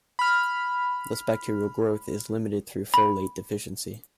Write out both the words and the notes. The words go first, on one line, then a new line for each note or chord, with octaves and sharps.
Thus, bacterial growth is limited through folate deficiency.
B5 F6
B5